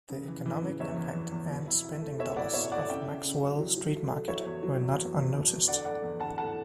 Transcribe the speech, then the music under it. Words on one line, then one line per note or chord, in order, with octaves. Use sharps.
The economic impact and spending dollars of Maxwell Street Market were not unnoticed.
C#3
E3
E3
C#3
E2 C#5 E5
E2
E3
E2
B2
E4
E4
A3
B2 C#5 E5
E4 D5 F#5
B2 C#5 E5
A3 D5 F#5
C#3 E5 G5
C#3
C#3
F#3
F#3
F#3
A3
A3
F#3 C#5 E5
E2
F#3
E2
E2
E2
B2
E2
D3 D5 F#5
A3 D5 F#5
E2
D3 F#5 A5
A3 F#5 A5